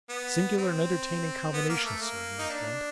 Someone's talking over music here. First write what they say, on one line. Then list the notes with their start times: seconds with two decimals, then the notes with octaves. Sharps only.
'Singular and entertaining combination, sir, your friend.'
0.09 B3
0.57 C4
1.53 B3
1.69 A#3
1.85 A3
2.02 A#3
2.39 D#4
2.50 D4